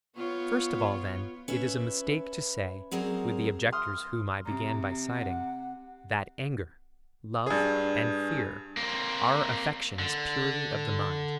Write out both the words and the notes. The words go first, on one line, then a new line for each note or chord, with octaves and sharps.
First of all, then, it is a mistake to say, with the objectors whom I began by citing, that anger, love and fear are affections purely of the mind.
B3 F4 C#5
C#4 B4 E5
F#3 C4 G#4 A#4 D5
C6 D#6 F6
C3 A#5
F#5
G2 G#4
A#3 C4
D3